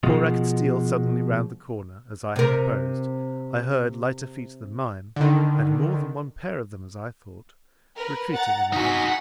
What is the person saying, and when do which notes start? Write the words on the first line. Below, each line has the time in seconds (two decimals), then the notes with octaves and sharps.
Before I could steal suddenly round the corner, as I had proposed, I heard lighter feet than mine--and more than one pair of them as I thought--retreating in a hurry.
0.03 B2 F3 G#3
2.36 C3 A#4
5.16 D3 D#3
7.96 A#4 B4
8.33 F#5 A#5 A6
8.73 D#4 F#4 G#5 B6